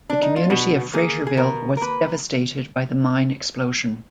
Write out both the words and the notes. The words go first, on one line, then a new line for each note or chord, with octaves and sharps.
The community of Fraterville was devastated by the mine explosion.
D4
D#4
F4
B2 F#4
A#3 G#4
G#4
B2 A#4
A#4
A#3 B4